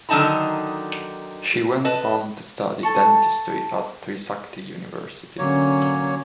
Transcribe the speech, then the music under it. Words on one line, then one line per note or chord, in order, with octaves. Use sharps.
She went on to study dentistry at Trisakti University.
D3 D#3 F#3 D#4 A5 A#5
B4 D#5 A5
A4 A5 C#6
D3 F#3 A#3 C#4 C#5